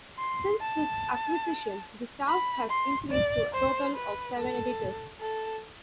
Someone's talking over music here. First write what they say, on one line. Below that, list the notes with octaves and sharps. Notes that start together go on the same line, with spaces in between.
Since this acquisition, the staff has increased to a total of seven editors.
C6
A5
B5
C6
D5
C5
B4
A4
A4